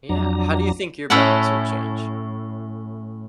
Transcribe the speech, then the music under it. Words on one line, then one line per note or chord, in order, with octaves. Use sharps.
Yeah. How do you think your balance would change?
F2 F#3 D4 A#5
A2 C#4 E4 A4 F#5